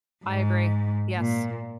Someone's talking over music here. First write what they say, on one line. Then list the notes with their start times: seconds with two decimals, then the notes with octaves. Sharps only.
I agree. Yes.
0.24 G#2
1.18 A#2